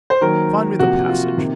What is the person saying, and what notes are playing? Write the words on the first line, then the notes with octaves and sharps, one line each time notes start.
Find me the passage.
C5
D#3 F#3 A#3 A#4
C3 F3 A#3 F#4
F4
C3 D#3 A#3